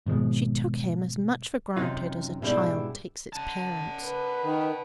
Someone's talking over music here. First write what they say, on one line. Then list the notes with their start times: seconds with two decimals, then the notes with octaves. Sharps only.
She took him as much for granted as a child takes its parents.
0.06 G#1 B2 F3 G#3
1.77 F#2 C3 D#4 F4
2.42 G#2 B2 G3 D4 E4
3.33 F#5 A5
4.02 B4
4.43 D#3